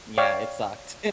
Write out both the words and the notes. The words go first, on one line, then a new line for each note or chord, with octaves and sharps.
Yeah, it sucked.
C#5 D5 F5 G5